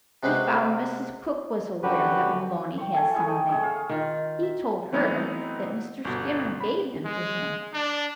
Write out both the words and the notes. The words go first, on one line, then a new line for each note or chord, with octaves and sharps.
We found Mrs. Cook was aware that Maloney had some of them--he told her that Mr. Skinner gave them to him.
C3 G#3 F#4 B4 C5
F#2 D3 F#3 F#4 G4 B4
G5 C#6
A4 G#5
A3 E4 G#4 A4
D#5 G5 A#5
A3 G#4 C#5 E6
F5
D#3 F4
E5
E3 F#3 A3 B3 C4 D#4
G1 B2
B5
G#3
D4